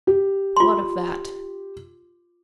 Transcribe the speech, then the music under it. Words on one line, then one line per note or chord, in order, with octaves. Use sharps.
What of that?
G4
F4 C6